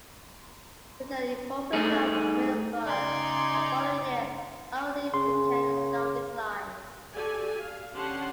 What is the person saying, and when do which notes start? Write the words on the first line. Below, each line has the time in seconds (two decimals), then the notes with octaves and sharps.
With the incorporation of Middleburg the following year, Aldie began a slow decline.
1.73 A3 D#4 G#4
2.86 C#3 D#4 D5 G#5 A#5 C6
5.14 C#3 C6
7.13 F#4 G4 A4 D5 G#5
7.60 F5
7.95 D3 C#4 G4 F#5 A5 C6